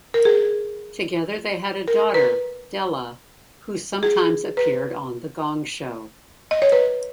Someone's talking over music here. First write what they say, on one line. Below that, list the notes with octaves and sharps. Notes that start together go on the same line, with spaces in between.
Together they had a daughter, Della, who sometimes appeared on "The Gong Show".
A#4
G#4
A#4
B4
G#4
B4
D#5
C#5
B4